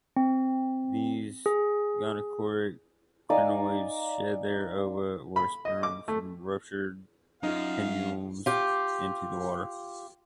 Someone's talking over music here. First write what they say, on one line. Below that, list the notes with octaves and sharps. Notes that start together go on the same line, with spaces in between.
These gonochoric crinoids shed their ova or sperm from ruptured pinnules into the water.
C4
G#4
D#4 D5 F5 G#5
B5
D#5
D6
A3
F#2 D#4 F4 F5
F4 G4